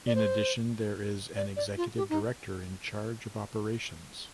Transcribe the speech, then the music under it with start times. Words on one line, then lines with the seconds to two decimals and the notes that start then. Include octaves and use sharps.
In addition, there is an Executive Director in charge of operations.
0.07 D5
0.15 C5
1.36 D5
1.56 D5
1.77 F4
1.97 G4
2.10 D#4